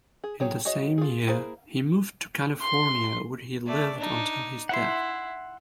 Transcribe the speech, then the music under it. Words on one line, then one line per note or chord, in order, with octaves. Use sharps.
In the same year he moved to California, where he lived until his death.
G#4
F#3 G4 G#4 C#5
F#4 G#4 C#5 D#5
F4 G#4
A#3 E4 G#4 A#4 C5
C6
A3 D5
D4 D#4
E4 F#5 C6